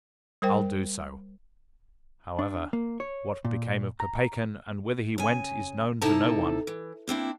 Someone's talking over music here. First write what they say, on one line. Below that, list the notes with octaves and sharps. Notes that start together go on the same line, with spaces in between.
I'll do so.' However, what became of Kopeikin, and whither he went, is known to no one.
G3 A#4 C5 G5
D4
A#3
C#5
A#2
A#5
C#3 G#5
C3 D#4 E4 A4 A5
E3
A#3 C4 D4 E4